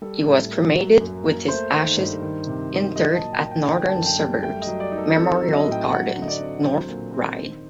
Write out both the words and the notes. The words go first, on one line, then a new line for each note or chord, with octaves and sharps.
He was cremated with his ashes interred at Northern Suburbs Memorial Gardens, North Ryde.
G3 A4
A2
A#3
F#3
F#2
A#3
A3 C5
D#3
G2
D#3
C3
F#3
F#3 D#5
A5
A#2
G5
A#3
G5
D3 G5
A5
F#2
G5
G3
A3 G5
D#5
F#3
D5
D#4
A4
C4 A4
A4
F#3
D#5
A2
G5
F#3 F#5
D3
D#5
D5
C4
F#3 C5
A#2
C4
D#3